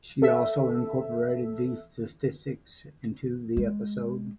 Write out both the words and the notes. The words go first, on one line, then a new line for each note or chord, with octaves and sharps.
She also incorporated these statistics into the episode.
A4 E5
G#3